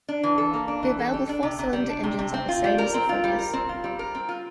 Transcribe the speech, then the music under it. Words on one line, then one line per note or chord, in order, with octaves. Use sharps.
The available four-cylinder engines are the same as the Focus.
D4
E3
A4
A#3
D4
E3
A4
G3
D4
C3
C3
G3
D4
C3
C3
C4
F4
G3
A#4
C4
F4
G3
A#4
C4
F4
G3
A#4
C4
F4